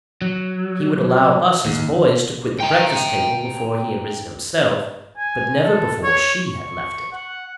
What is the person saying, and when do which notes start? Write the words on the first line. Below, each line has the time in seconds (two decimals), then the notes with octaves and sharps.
He would allow us, as boys, to quit the breakfast-table before he had risen himself; but never before she had left it.
0.22 F#3
1.66 D#2
2.60 G5 A#5
5.17 G#5
5.63 A4
6.04 C#5
6.45 C#6
7.12 F#5